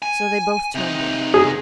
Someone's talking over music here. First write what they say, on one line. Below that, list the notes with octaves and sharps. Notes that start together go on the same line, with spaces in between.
So they both turned in.
G#5
C3 D#4
G#4